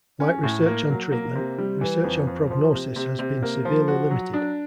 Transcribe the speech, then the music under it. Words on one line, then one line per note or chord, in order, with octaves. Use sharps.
Like research on treatment, research on prognosis has been severely limited.
C#4
A2
A#3
F#3
A#3
C3
G3
E3
F2
F2
F3
C3
C3
C3
A#3
F3
F#4
F#3
D4